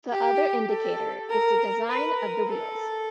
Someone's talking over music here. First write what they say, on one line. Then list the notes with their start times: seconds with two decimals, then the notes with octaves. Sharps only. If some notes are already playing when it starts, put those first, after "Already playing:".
The other indicator is the design of the wheels.
0.12 G4
0.70 A4
1.30 A#4
1.88 B4
2.17 A#4
2.47 A4